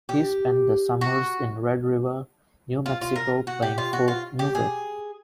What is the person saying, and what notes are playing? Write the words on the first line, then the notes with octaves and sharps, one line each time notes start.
He spent the summers in Red River, New Mexico playing folk music.
G4
F#4
F4
F4
A#4
F#4
G4
F4
F#4
F4
G4
G#4